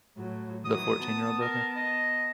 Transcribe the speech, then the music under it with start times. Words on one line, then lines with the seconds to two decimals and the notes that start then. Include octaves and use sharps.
the fourteen-year-old brother?
0.17 A2 F#3
0.65 D#3 E3 F#3 D#6
1.04 B3 A5
1.41 A#4
1.76 D#5